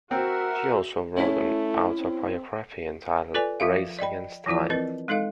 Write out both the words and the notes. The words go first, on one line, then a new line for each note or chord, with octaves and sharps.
She also wrote an autobiography entitled "Race Against Time".
C4 F#4 A#4 E5 F#5
A3 C#4 E4 B6
C4
F4 A4 B4 D5 G#5
F3 F4 E5 F5
D5 D#5 G5 B5
E3 F3 E4 F4 D5
C4 A#4 B4 D#5
G#3 D#4 A4 D#5 F5